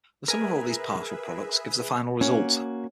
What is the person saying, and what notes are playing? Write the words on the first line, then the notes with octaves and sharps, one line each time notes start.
The sum of all these partial products gives the final result.
G#4 A#4 B4 E5 G#5
A#3 C#4 F#4